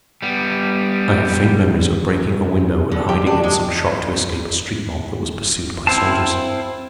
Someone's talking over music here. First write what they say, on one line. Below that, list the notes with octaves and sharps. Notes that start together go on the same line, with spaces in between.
I have faint memories of breaking a window and hiding in some shop to escape a street mob that was pursued by soldiers.
G3 B3
D3
G4
D4
G#3
C4 E4 C5 F5 A5